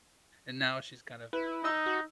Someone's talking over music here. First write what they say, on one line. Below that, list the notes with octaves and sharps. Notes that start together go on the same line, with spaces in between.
and now she's kind of
E4 B4
D#4 D#5 E6
F#4